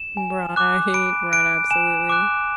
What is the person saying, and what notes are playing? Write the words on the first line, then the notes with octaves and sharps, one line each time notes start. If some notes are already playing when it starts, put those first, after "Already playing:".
Right, right, absolutely.
Already playing: E7
G#5
D6 F#6
B5 D7
F#6 D7
G#5 E7
D6 F#6